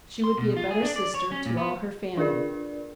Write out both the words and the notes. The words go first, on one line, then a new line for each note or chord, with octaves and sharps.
She would be a better sister to all her family.
C6
B2
F4
G#4
D4
D5
C#5
C#4
A#2
B3
D4 F4 G#4 A#4 D5